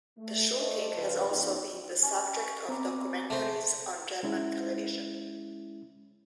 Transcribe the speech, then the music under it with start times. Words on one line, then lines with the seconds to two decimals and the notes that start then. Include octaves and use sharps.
The shooting has also been the subject of documentaries on German television.
0.18 A3
0.58 A3 C5 D#5
0.95 C#2 G2 F3 F4 B4
1.31 G#2 F3 B3 C#4 D#4
2.02 C#4 G4 C#5
2.69 B3 C4 A#5 D6
3.30 A3 C5
4.23 G#3 C#4 E4